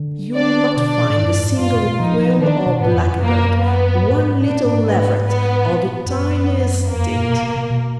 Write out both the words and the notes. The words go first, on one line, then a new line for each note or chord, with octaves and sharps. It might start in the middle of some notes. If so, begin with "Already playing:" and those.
You'll not find a single quail or blackbird, one little leveret, or the tiniest tit.
Already playing: D3
D4 D5
B2 D4 D5
A#2
G#2
F#2
G#2
F#2 F4
A#2
A#2
F3 D#4
F3
D#3 D4
B2
G#2 B3
F2
F#2
A#3
B3
G#2
A#2 D4
G#2
B3
B3
A#2
F#2 B3
F2 A#3
F#2
A#2
B2
B2
B2
B2